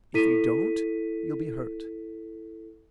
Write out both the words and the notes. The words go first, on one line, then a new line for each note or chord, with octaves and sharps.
If you don't you'll be hurt.
E4 A4 B6 D#7